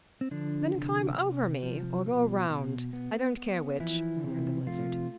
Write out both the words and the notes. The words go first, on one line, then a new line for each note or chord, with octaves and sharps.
"Then climb over me--or go around--I don't care which," murmured the lizard.
C4
D3 F3 D4
C3
C3
F3
B2
B2
B3
B3
E3 F3 E4
C3
F3 A3 F4